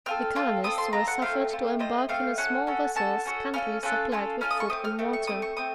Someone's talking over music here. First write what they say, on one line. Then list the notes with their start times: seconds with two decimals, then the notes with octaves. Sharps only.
The colonists were suffered to embark in a small vessel scantily supplied with food and water.
0.06 C4 F4 A4 F6
0.35 C4 F4 A4
0.64 C4 F4 A4 D#6
0.78 C6
0.93 C4 F4 A4 A#5
1.07 F#5
1.22 A3 C4 F4 F5
1.50 A3 C4 F4
1.79 A3 C4 F4 D#5
2.09 A3 C4 F4 F5
2.38 C#4 F#4 A4 F#5
2.67 C#4 F#4 A4
2.95 C#4 F#4 A4 A5
3.25 C#4 F#4 A4
3.54 C#4 F4 A4 F6
3.83 C#4 F4 A4 F#6
4.12 C#4 F4 A4
4.41 C#4 F4 A4 F6
4.51 D#6
4.60 C#6
4.70 A3 C4 D#6
4.85 F6
4.99 A3 C4
5.13 C#6
5.27 A3 C4 D#6
5.42 C#6
5.57 A3 C4 D#6